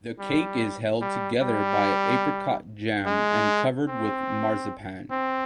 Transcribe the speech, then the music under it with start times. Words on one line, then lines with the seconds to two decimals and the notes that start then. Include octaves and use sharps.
The cake is held together by apricot jam and covered with marzipan.
0.19 G3
1.01 G3
1.42 G3
3.06 G#3
3.88 C4
5.11 C4